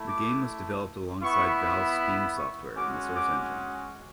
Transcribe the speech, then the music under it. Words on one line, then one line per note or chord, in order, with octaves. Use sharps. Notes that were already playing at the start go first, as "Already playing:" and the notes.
The game was developed alongside Valve's Steam software and the Source engine.
Already playing: A3 E4
D6
B3 E4 C#6
B5
C#6
G#3 C#4 F#4 D6
D6